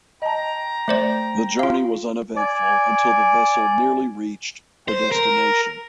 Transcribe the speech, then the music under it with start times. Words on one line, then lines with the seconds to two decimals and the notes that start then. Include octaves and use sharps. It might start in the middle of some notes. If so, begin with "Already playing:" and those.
The journey was uneventful until the vessel nearly reached her destination.
0.22 D#5 G5 A5 A#5
0.88 A3 C5 D5
1.59 F4 F5
2.36 D5 G#5
4.88 C5
5.12 A#4